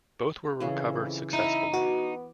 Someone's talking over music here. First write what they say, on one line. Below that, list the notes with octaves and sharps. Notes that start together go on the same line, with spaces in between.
Both were recovered successfully.
F2 C#3 E3
D#4 E4
B3 F#4 D6